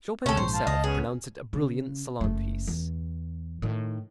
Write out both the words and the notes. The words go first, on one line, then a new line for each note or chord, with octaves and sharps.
Chopin himself pronounced it a brilliant salon piece.
D2 C3 C#4 A4 C#5 G5 C#6
A#1 G#2 C5
F5 A5
C#2 D#5
B3 C#4 G#4
C#3
F#1 A3
E2
A2 D#3